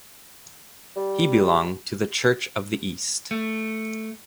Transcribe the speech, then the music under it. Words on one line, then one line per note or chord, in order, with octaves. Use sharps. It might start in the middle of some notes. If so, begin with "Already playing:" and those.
He belonged to the Church of the East.
G3
A3